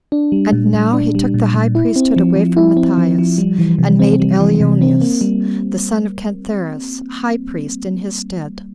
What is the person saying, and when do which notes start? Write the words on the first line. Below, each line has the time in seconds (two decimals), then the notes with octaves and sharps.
And now he took the high priesthood away from Matthias, and made Elioneus, the son of Cantheras, high priest in his stead.
0.12 D4
0.32 G3
0.52 A#2
0.74 A#2
0.94 D4
1.15 G3
1.34 A#2
1.54 A#2
1.75 E4
1.96 C4
2.16 F3
2.36 F3
2.57 E4
2.77 C4
2.98 F3
3.19 F3
3.38 G3
3.59 E3
3.79 C3
3.99 C4
4.20 G3
4.40 E3
4.60 C3
4.82 C4
5.02 A#3
5.21 G3